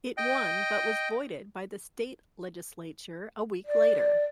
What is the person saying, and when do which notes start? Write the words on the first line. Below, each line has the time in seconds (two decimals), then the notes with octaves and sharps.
It won but was voided by the State Legislature a week later.
0.17 D#5 G5
3.67 D5